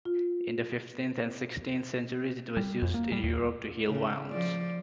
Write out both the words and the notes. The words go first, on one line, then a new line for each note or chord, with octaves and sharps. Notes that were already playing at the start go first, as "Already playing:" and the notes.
In the fifteenth and sixteenth centuries it was used in Europe to heal wounds.
F4
G3
F2
A#3
G3
D#2
C#3
F3 D5